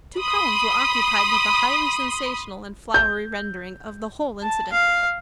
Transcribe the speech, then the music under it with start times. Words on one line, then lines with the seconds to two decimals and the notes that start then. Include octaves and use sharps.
Two columns were occupied with a highly sensational and flowery rendering of the whole incident.
0.19 B5 C6 D#6
2.94 G6
4.42 A5
4.72 F5